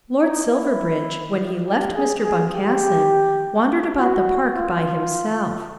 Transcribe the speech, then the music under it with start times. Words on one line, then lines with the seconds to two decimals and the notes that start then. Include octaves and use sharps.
Lord Silverbridge, when he left Mr. Boncassen, wandered about the park by himself.
0.22 D#4
0.51 E4
1.67 G4
1.95 G#4
2.24 G#4
2.53 G4
3.98 F#4
4.55 F4